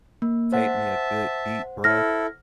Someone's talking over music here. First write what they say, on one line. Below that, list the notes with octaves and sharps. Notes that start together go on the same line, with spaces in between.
take me a good deep breath,
A#3
C5 E5 F#5 A5
E4 A4 F6 A#6